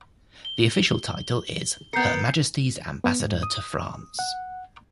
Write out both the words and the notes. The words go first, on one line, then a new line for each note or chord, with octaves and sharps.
The official title is Her Majesty's Ambassador to France.
G7
B3 A#4 G6 C7 C#7
B3
G#2
D#6
F#5